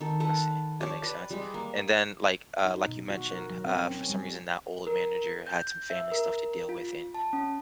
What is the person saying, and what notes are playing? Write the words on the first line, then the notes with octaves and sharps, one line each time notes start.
I see. That makes sense. And then, like uh, like you mentioned, uh, for some reason, that old manager had some family stuff to deal with, and,
D#3 A4
A4 B4 F#5
G4 C#5 D5 A5
B4 D5
G3 G#3
A#3
D#4
B2
F#4
A#4
F#3
C4
C#4
G3
A#4
G6
E5
A#4
F4
A5
C#4